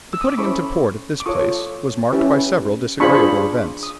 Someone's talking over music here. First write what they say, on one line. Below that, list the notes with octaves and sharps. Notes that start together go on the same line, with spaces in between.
The putting into port at this place was marked by several disagreeable events.
E6
D#6
D6
C#4 E4 A4 C5 B5 C#6
D6
F4 A4 C#5 C#6 D#6
C#4 E4 G4 B4
D4 F4 G#4 C5 B5 C#6
D#6